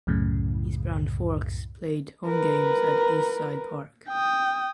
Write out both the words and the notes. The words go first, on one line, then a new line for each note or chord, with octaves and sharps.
East Brand Forks played home games at East Side Park.
C2 F#2 A2 C#3
A#4 B4
G5 D#6